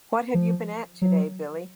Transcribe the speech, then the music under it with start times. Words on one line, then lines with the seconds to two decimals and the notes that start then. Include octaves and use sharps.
What have you been at today, Billy?
0.34 F3
1.02 F#3